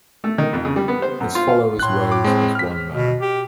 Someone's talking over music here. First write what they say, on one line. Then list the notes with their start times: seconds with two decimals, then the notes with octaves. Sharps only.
His followers rose as one man.
0.24 A3
0.38 D#3
0.53 F2
0.65 C#3
0.76 G3
0.88 B3
1.02 C5
1.20 F#2
1.35 F4
1.49 F5
1.79 A2 C6 F#6
2.12 D6
2.24 G#3 C4
2.55 F6 B6
2.92 B2
3.21 G4